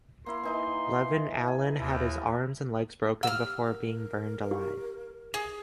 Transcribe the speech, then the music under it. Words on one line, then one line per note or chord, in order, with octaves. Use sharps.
Levin Allen had his arms and legs broken before being burned alive.
A#3 E4 C6
E3 D#4 D#5
G#5
D#2 E4
G4 F#5 E6 F6
A#4
G4
G#4